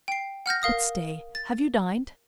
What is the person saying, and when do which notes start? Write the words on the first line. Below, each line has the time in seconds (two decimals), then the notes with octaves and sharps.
"But stay--have you dined?"
0.08 G5 C7
0.46 F#5 F6 G6 A#6
0.62 A#4 F5 D#6 A#6
1.35 A6